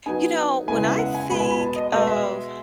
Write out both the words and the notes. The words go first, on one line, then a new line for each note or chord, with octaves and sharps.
You know, when I think of
F#3 B3 D#4 G#5
C#3 G#3 B3 E4 G#5
E5
F#5
G#5
B2 G#3 B3 B5
G#5
B5
A5
D#5
B2 G#3 B3 D#5
E5